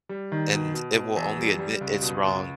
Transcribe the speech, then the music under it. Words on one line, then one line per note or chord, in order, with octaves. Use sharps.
and it will only admit it's wrong
G3
D#3
B2
B2
B2
E2
G3
G3
C#2
B2
C#2